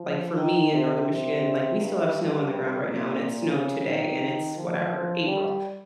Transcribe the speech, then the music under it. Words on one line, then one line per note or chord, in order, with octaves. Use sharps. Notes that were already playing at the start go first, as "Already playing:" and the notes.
like, for me in Northern Michigan, like, we still have snow on the ground right now, and it snowed today, and it's whatever April,
Already playing: F3
D#3
C3
C3
G2
A#2
C#3
D#3
F3
F3
G3